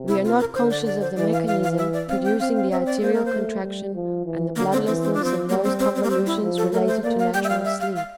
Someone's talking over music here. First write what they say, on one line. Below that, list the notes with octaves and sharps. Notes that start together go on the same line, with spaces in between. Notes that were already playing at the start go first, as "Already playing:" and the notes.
We are not conscious of the mechanism producing the arterial contraction and the bloodlessness of those convolutions related to natural sleep.
Already playing: C3
E4
F4
A#4
D3 C5
D5
D5
C5
E3 D5
F5
E3 F5
F5
E5
D5
C4 F5
G5
C4 F5
F5
C4 E5
D5
A#3 C5
A#4
C5
A3
G3
F3
E3
D3 A#3
C4
E3 C4
C4
F3 D4
C4
G3 A#3
C4
C4
C4
A#3
G3 C4
E4
F3
A4
A3 A#4
C5
A#3 D5
F5
G3 G5
E5
F5
E5
F5
F5